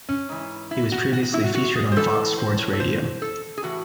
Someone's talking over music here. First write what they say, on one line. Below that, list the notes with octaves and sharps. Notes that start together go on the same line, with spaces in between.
He was previously featured on Fox Sports Radio.
C#4
G#2 E3
E4
F#4
F#4
F#4
E4
F#4
F#4
G#4
C5
A2 E3 A4
C5
C#5
A4
C5
A4
G#4
A2 E3 F#4